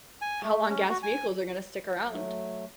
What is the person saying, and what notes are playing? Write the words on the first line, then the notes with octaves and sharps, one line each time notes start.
How long gas vehicles are gonna stick around,
G#5
A3
C#4
F#4
G#5
F#3 A3